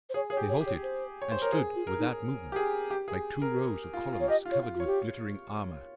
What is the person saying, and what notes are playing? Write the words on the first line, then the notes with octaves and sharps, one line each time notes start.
They halted and stood without movement, like two rows of columns covered with glittering armor.
C5
G#4 C#5
G#4 C#5
G4
C#5
G4
C#5
C5
C#5
C5
A#4 C#5
G#4 C5
F4
A#4
D#4
G4
G#4
G4
G#4
A#4
F4
F4
C#5
G4 D#5
F4
C#5
F4
F4
C#5
G4